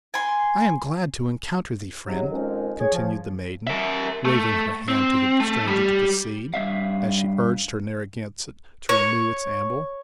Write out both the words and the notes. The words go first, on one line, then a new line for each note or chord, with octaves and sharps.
"I am glad to encounter thee, friend," continued the maiden, waving her hand to the stranger to proceed, as she urged her Narragansett to renew its amble.
G#5 C6
G#2 C3 F#3
F2 D#3 F3 G#3 C#4
G#4 C#5
F3
A#4 E5
A3
C4
A3
G3 G4
G2 A3 E5 F5
C#5